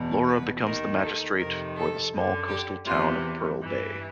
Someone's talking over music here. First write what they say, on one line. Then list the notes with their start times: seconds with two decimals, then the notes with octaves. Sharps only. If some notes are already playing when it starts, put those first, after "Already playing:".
Laura becomes the magistrate for the small coastal town of Pearl Bay.
Already playing: E2 B2
0.27 B4
0.65 D#2 D#3 A#4
1.01 A4
1.38 F2 C3 D#3 A#4
1.75 A4
2.11 F#2 D3
2.48 G4
2.85 E2 C3 E3 F4
3.60 G2 E3